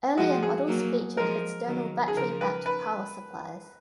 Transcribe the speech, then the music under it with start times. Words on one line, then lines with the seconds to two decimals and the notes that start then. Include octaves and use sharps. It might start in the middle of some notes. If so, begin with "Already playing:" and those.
Earlier models featured external battery-backed power supplies.
0.18 F3 G#3 F#4
0.43 G#4
0.68 F#3 A#3
1.17 F3 G#3 A#4
1.67 D#3 F#3
2.08 G#4
2.16 C#3 F3 A#4
2.41 B4
2.66 B4